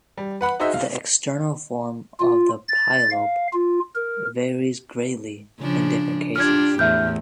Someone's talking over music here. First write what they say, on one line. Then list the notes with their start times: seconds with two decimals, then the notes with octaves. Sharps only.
The external form of the polyp varies greatly in different cases.
0.17 G3
0.41 B4 F#5 B5 F#6
0.60 D#4 F#4 G#4 C5 D#5 E5
0.74 F5
2.20 F4
2.68 A6
3.11 F5
3.53 F4
3.95 A#4
5.60 C#3 F3 D4
6.36 D4 F4 G4 F6 G#6
6.79 E2 A2 E5 F6 G6